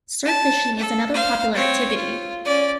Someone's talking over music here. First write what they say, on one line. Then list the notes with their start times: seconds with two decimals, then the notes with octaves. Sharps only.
Surf fishing is another popular activity.
0.25 A5
0.79 A4
1.14 C5 F5
1.55 C4 C#5
1.95 F4
2.45 C#4 D5